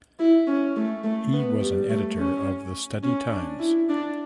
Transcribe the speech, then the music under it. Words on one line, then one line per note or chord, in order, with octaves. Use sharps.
He was an editor of the "Study Times".
E4
C#4
A3
A3
B3
G3
A3
C#4
C#4
D4
E4
D4